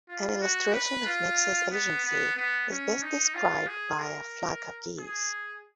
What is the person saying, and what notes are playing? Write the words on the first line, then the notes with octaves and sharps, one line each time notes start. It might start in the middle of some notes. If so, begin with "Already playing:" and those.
An illustration of nexus agency is best described by a flock of geese.
F4
F#4
B4
F4
B3
B3
B3
C#4
D#4
F4
G#4
A#4
G#4